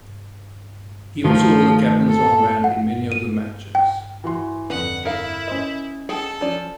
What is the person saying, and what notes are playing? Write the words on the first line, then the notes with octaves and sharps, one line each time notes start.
He also wore the captain's armband in many of the matches.
D#3 F3 A3 A#4
A4
F#5
D#7
G5
E3 F#4 C6
F2 D3 B4 F#5
E4 A#4 F5
C#4 C5 D#5
G#4 A4 F#5 G5
F3 C#4 D5